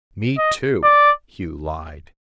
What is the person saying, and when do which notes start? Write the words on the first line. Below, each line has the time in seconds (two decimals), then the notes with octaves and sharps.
"Me, too," Hugh lied.
0.38 D#5
0.84 D5